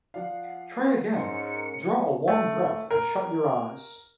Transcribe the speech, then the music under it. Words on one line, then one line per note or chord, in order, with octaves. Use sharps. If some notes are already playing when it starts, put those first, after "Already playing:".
Try again: draw a long breath, and shut your eyes.
F3 D5 F5 F#5 C7
G#2 G#3 C#4 A#4 C6 C#7
A3
A#4